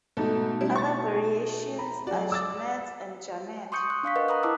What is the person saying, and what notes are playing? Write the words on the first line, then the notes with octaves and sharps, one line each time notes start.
Other variations are Janette and Janet.
G#2 B2 A3 D#4 A4
G3 C#4 E4
C#6 A6
A#5 B5
F#3 F#4 D5
D6 E6 A6
C6 C#6 D#6 G6 C#7
F#6
D4 F5 C#6 B6
A#4 B4 D#5 F#5
A#5 B5 D#6 F#6
E4 A#4 A5 A#5 D6 E6